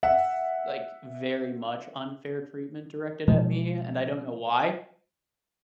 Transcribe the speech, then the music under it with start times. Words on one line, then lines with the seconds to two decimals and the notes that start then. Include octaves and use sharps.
s like, very much unfair treatment directed at me, and I don't know why.
0.03 E5 F#5
3.28 B2 F3 G#3